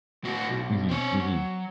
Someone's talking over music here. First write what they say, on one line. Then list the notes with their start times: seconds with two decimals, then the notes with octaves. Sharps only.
Mhm, mhm.
0.24 A2 F#4
0.49 B1
0.89 C4 C#5
1.20 F#3